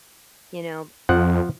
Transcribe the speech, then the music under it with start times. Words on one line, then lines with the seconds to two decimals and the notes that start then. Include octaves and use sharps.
you know,
1.09 F2 F3 F#5